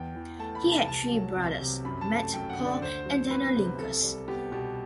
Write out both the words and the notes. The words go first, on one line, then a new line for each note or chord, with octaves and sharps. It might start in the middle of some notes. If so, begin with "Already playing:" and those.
He had three brothers: Matt, Paul, and Daniel Linkous.
Already playing: E2 G5
E3
A3 A5
B5
C3
A5
C2 A5
F#3
C2
C3
F#2 B5
A5
A3
A5
F#2 G5
F#5
D3
D5
D2 C5
F#3
B3 B4
C3
C2 A4
G3
B3 G4
B2 G4